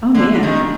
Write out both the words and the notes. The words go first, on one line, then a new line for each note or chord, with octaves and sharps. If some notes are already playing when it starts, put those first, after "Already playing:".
Oh man,
D3
D#3